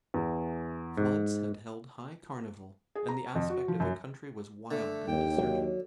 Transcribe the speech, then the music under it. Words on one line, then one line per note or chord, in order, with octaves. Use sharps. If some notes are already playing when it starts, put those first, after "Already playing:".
Floods had held high carnival, and the aspect of the country was wild and deserted.
E2
G#2
G#4
A#5
F2
F#4
F3
F#2
D3 A3
D#2 G5
F#3